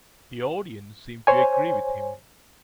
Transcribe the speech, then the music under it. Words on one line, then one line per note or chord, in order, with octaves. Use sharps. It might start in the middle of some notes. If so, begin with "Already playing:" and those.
The audience seemed to agree with him.
C5 C#5 G#5